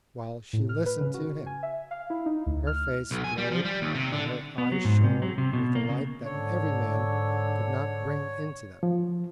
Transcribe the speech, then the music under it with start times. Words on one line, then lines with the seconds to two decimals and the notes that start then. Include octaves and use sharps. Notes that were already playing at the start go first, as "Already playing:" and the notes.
While she listened to him, her face glowed and her eyes shone with a light that every man could not bring into them.
0.53 A2
0.69 F6
0.86 B4
1.01 C#3
1.14 F#4
1.46 G#5
1.63 E5
1.91 F5
2.10 E4
2.26 D#4
2.46 D2
2.67 F6
3.11 B1
3.24 G#5
3.38 G3
3.52 F3
3.65 G3
3.82 D#2
3.95 C3
4.13 D3
4.58 B3
4.72 F#3
4.85 G#2
5.04 C3
5.22 F#3
5.38 C3
5.53 B2
5.75 A#3
5.89 C#3
6.25 G#2 D3 C#5
8.83 F3